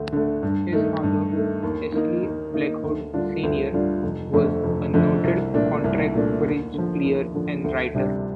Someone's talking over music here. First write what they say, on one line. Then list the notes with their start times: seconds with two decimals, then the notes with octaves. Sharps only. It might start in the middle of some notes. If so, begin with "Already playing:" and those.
His father, Easley Blackwood Senior was a noted contract bridge player and writer.
Already playing: D2 D3 A3
0.12 D3 A3
0.43 G2
0.73 D#3 A3
1.03 G2
1.33 D#3 A3
1.63 D#2
1.93 D#3 A#3 D#4
2.23 D#2
2.53 D#3 A#3 D#4
2.83 D2
3.14 D3 G3 D4 F4
3.43 D2
3.73 D3 G3 D4 F4
4.03 F1
4.33 F2 D3 A3
4.64 F1
4.94 F2 D3 A3
5.24 C2
5.54 A#2 A3 D4
5.84 C2
6.14 A#2 A3 D4
6.44 D#2
6.74 D3 F3
7.04 D#2
7.34 D3 F3
7.64 D2
7.94 C3 G3 D4 G4